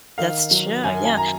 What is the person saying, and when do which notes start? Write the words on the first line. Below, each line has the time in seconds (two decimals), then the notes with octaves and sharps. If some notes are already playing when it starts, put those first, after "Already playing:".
that's true, yeah,
0.18 D#3 F5
0.51 F#3
0.84 F#2 G#5
1.05 G#5
1.17 A#5